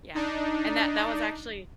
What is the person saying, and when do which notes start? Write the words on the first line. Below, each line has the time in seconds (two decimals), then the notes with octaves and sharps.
Yeah, and that that was actually
0.15 D4 D#4